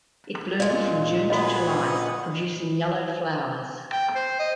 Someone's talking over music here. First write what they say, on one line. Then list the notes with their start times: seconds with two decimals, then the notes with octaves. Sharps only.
It blooms from June to July producing yellow flowers.
0.60 A#2 G#3 D5
1.30 F#4 G#4 B4 D#5 F#5
3.92 G5
4.15 C5
4.39 D#5